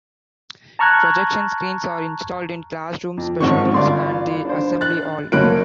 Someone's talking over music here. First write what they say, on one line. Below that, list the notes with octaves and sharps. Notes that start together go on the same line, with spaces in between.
Projection screens are installed in classrooms, special rooms and the assembly hall.
A5 A#5 C#6 F6 F#6 G#6
F2
G#1 D#3 C4 C#4 C#6
G1 F4 D5 C6
D4 C5
F#6 A6
F#1 A#3 C#4 F#6 D7